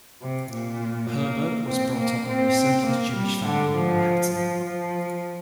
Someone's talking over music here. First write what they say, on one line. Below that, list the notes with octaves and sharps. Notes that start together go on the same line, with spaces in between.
Herberg was brought up in a secular Jewish family in Manhattan.
C3
A#2
A#3
C4
A#3
C4
A#3
G3
D3
F3
F3
F3